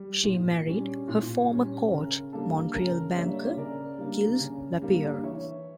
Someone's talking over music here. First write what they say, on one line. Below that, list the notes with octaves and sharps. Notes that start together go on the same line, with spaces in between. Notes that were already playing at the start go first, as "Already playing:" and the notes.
She married her former coach, Montreal banker Gilles Lapierre.
Already playing: G3
A#2
G3 C#4
A#2
G3 C#4
C#3 A#4
G3 A#3 D4 A4
C#3 A#4
G3 A#3 D4 C#5 E5
C#3 A#4 D5
G3 A#3 D4
C#3
G3 A#3 D4
E3 C#5 E5